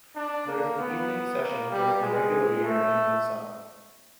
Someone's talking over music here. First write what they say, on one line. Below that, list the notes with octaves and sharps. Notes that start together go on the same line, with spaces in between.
There is an evening session during the regular year and in the summer.
D4
A#3
B3
A#3
G3
G#3
A3